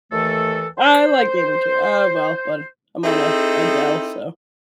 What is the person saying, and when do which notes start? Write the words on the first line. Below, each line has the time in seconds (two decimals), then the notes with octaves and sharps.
I like gaming too, uh well, but I'm on a a Dell, so
0.12 D#2 E3 A3 A4
0.78 C5
3.04 C4 D#4 E4 G#4 A4